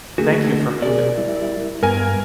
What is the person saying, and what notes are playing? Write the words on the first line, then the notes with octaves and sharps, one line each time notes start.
Thank you for moving.
D3 A3 A#3 F#4 G#4
B2 G#4 A#4 D5
G3 E4
G2 B3 A#4 G#5 G#6